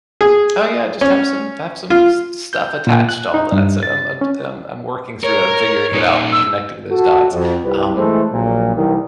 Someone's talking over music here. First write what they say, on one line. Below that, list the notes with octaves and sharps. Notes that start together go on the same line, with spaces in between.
oh, yeah, I just have some have some stuff attached to all that, so I'm, I'm I'm I'm working through it I'm figuring it out, I'm connecting those dots. Um,
G#4
C#4
F4
G6
A#2
F#6
D#4
G2
A6
C#4
A#4 C#5
A#2 D#4
E6
F#4 A4
F2
C2 G3 B4
E3 G#3 A3 A4 B4 C5
A#1 A#2 F#3
C2 D#3 E3